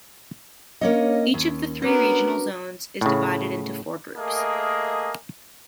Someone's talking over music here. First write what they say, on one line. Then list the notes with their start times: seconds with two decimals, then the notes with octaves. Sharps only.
Each of the three regional zones is divided into four groups.
0.81 A#3 C#4 D4 C#5 D#5 F5
1.34 D#2 C#4
1.82 B3 C#4 D4 F#4 A#4 B4
3.01 A2 C#3
4.17 A3 A#3 G#4 A#4 D#5 E5